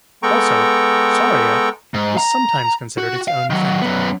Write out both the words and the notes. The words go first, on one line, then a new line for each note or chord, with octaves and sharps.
Also, "Saurauia" was sometimes considered its own family.
G#3 B3 A4 G5 A#5 C#6
G#2
A#5
F#4
F5
D#3 F#3
F#2 B3